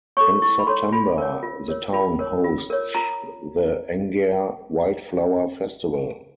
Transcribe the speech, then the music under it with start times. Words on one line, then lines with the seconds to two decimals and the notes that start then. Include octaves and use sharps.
In September the town hosts the Angair Wildflower Festival.
0.17 A4 C#5 C#6
0.42 E4 C#6
0.59 B5
0.67 A4 C#5 C6
0.92 F4 B5
1.18 A#4 C#5
1.43 F4
1.68 A#4 C#5
1.93 F4 B5
2.19 A#4 C#5
2.44 F4
2.70 A#4 C#5
2.95 F4 A#5